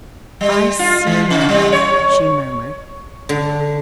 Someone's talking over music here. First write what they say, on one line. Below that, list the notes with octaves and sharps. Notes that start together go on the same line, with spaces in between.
"I see now," she murmured.
G3
F4
E3
C3
G3
C#5
D3